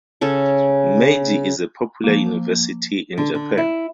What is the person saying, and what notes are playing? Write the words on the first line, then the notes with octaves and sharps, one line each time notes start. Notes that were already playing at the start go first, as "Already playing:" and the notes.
Meiji is a popular university in Japan.
C#3 C#4 A4
F3 A#3
D3
D3
E4